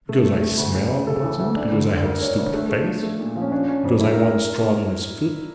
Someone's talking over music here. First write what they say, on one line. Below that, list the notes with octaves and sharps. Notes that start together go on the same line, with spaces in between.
Because I smell unpleasant, because I have a stupid face, because I once trod on his foot.
A3
A3
A3
D2
C#3
D2
C#3 A4
E3
D2
D4
D3
D3
D2 A#4
D4 C#5
D2 C#5
A3 D4
A3
F3
A3
A#2
F3
C#4
C#4 D4
C#4
F2
C#3 E4
A#4